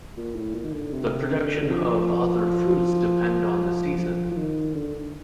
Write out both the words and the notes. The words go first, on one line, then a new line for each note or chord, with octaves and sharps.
The production of other fruits depend on the season.
A#2
A2
A#2
D#3
D3
C3
D3
F3
F3
F3
D#3
D3